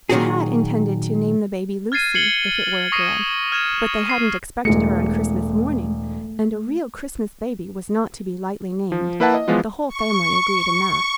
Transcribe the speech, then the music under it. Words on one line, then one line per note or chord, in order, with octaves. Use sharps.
They had intended to name the baby Lucy, if it were a girl; but they hadn't expected her on Christmas morning, and a real Christmas baby was not to be lightly named--the whole family agreed in that.
A#2 D#3 F3 F#3 F#4 G#4
F6 G#6 A6 C7 D#7
G#6 C7 C#7 F#7 G7
C#6 D#6 A#6 C7 C#7 D#7
F6 G#6 E7
C7 D#7
E1 G#3 A3 C#7
F3
A#3 E4 B4 E5 F#5 A5
D#5
E3 F3 G#3 B3 F4
C#6